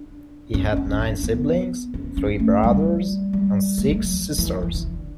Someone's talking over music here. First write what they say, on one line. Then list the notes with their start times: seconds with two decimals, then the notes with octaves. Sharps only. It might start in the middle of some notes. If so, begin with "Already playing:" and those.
He had nine siblings- three brothers and six sisters.
Already playing: D4
0.54 C#4
0.77 C#4
0.92 C#4
0.99 D4
1.23 B3
1.94 C#4
2.17 C#4
2.39 A3
2.63 G3
3.33 G3
3.78 A3
3.91 G3
4.04 F#3
4.38 E3
4.63 E3
4.74 D3